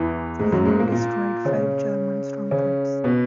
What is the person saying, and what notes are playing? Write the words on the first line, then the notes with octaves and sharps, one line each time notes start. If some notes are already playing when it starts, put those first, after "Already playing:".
Smirnov destroyed five German strongpoints.
Already playing: E2 E3
G#2 G#3
F#2 F#3
G#2 G#3
A#2 A#3
A#2 A#3
C#3 C#4
C#3 C#4
B2 B3